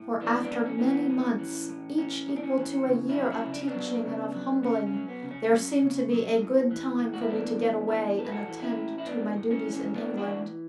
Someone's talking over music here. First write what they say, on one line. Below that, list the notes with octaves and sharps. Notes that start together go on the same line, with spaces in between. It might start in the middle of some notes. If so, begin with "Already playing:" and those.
For after many months--each equal to a year of teaching and of humbling--there seemed to be a good time for me to get away and attend to my duties in England.
Already playing: A2
E3 B3 D4
B3 D4
A2
C#4
E3 C#4
B3
A2 C#4
E3
A2
E3 C#4
A2
D4
C#4
E3
C#3
C#4 E4
F#3
C#4 E4
C#3
D4
C#4
B3 D4
F#3
C#3
F#3
C#3 C#4
C#4
F#3
B3
C#3
C#4
F#3
C#3
F#3
A2
E3
A2
F#4
E4
E3 B3 D4
A2
E3
A2 A4
B4
F#4 A4
E3
C#4 E4
A2
E4
E3 B3 D4
A2
C#4
E3
C#4
A2 B3 D4
D4 F#4
E3